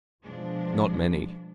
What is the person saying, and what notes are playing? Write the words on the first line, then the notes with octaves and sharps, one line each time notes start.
Not many!
B2 F3 G#3 D4